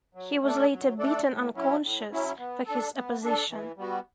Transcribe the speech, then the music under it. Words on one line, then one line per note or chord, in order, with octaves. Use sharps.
He was later beaten unconscious for his opposition.
F#3
A3 D4 A4 D5
F#3
A3 D4 A4 D5
A2
F#3 C#4 E4
A2
F#3 C#4 E4
B3
D4 A4
B3
D4 A4
E3
G3 B3 F#4